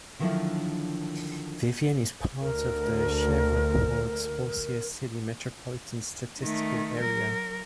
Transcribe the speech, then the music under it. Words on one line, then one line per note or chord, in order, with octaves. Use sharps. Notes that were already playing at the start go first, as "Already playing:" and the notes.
Vivian is part of the Shreveport-Bossier City Metropolitan Statistical Area.
D3 D#3 F3 F#3 D4 E4
D2 A#4
D#3 A3
F#3 A#4